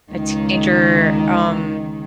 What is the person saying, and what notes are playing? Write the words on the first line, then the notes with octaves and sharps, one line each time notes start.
a teenager, um,
C#2 D#3